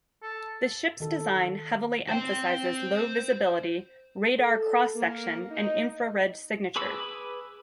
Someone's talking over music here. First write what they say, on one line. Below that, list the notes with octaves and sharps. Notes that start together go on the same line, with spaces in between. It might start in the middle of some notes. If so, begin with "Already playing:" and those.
The ship's design heavily emphasizes low visibility, radar cross-section and infrared signature.
A4
D#3 A4
C5 G5
A4
A#3
D#4
G#4 B4 B5 D6 E6